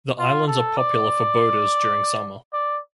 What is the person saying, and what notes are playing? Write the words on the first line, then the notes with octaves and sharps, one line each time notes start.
The islands are popular for boaters during summer.
F4
A4
D5
D5